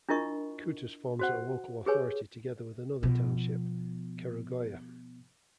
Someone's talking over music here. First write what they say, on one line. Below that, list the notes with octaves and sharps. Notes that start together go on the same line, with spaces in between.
Kutus forms a local authority together with another township, Kerugoya.
D4 E4 F4 A#4 D#5 C#6
F#4 C5 F#5
G4 G#4 B4 C#5 G#5
B2 F3